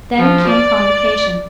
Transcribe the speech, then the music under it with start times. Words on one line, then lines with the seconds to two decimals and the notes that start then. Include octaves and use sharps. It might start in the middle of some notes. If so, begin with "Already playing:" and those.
Then came Convocation.
0.17 F3
0.48 D5